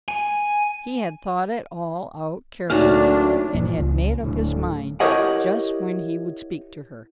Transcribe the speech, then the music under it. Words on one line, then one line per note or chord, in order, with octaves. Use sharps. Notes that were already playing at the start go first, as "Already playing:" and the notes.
He had thought it all out carefully and had made up his mind just when he would speak to her.
G#5
D2 A#2 F#3 A3 D4 D#4 F6
G2 A#2 F3
C#2
D1 A#1 A2 D3
E4 G4 A#4 C#5 D#5 F#5